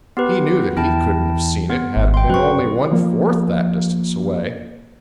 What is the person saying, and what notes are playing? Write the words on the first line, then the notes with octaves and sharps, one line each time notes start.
He knew that he couldn't have seen it had it been only one fourth that distance away.
B3 G4 B4
E2 E4 G5 A5
B3
G#1
G5 C6
F#2 B4 C#6
F3 A#3